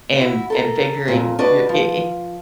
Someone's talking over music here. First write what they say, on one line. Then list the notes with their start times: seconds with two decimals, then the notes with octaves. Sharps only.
and and figuring your i i
0.21 E4 F#4
0.50 A4 A#4
1.08 F2 A#2
1.39 D4 F#4 B4 D#5
1.69 F3